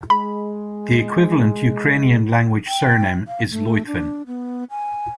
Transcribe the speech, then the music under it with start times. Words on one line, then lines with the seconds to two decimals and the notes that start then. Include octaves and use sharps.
The equivalent Ukrainian-language surname is Lytvyn.
0.10 G#3 B5
2.67 G5
3.27 F5
3.51 A3
3.86 D4
4.27 B3
4.70 G#5